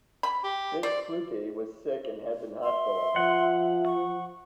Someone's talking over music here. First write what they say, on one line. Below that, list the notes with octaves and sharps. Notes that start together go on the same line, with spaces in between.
Dick Flutie was sick and had been hospitalized.
B5
G4
C5 D5
E5 C6
F3 F#5
C#6